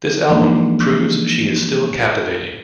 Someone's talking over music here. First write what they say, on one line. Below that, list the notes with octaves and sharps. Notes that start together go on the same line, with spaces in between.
This album, proves she is still captivating.
E3 F3 G#3 A#3 D4 D#4